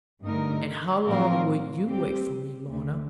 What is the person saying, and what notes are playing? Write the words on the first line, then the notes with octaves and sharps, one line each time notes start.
And how long would you wait for me, Lorna?'
G2 D3 A3 D#4 A#4
A2 F3 C4 F4 A#4
G3 C4 G4
D2 D3 A3